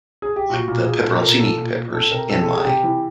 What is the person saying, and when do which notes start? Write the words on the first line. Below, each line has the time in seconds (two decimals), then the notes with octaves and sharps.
like, the peperoncini peppers in my,
0.22 G#4
0.36 G4
0.50 A#2 F#4
0.68 A#2
0.86 A#2 G#4
0.98 A4
1.04 A#2
1.10 A4
1.22 A#2 A#4
1.40 A#2 A4
1.57 A#2
1.76 A#2
1.94 C3 A4
2.11 C3 A#4
2.29 C3 A4
2.41 A4
2.48 C3
2.54 G#4
2.65 C3 G4
2.83 E3